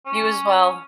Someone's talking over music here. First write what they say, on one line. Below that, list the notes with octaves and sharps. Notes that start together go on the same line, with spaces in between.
You as well.
C#4